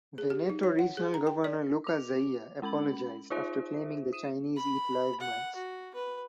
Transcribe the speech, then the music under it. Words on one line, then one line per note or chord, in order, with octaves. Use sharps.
Veneto regional governor Luca Zaia apologized after claiming the Chinese eat live mice.
G#4
G4
D#4
C#5
F#5
G#4
A#5
G5
D5
D6 F7
G#3 C#4 B5 F#7
D#4 F4 G#4 C5 E5
D#6 D#7 E7
B5
F#5
F#4
B4